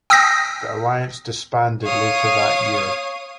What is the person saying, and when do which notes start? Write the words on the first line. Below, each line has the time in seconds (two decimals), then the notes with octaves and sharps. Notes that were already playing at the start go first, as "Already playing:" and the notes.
The alliance disbanded later that year.
0.10 G5 D#6 E6 G6 A#6 B6
1.83 C#5 F5 D#6